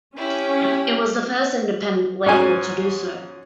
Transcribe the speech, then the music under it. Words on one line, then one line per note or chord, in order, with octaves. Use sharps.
It was the first independent label to do so.
C#4 E4 G4
G#2 F#3 C#4 G#5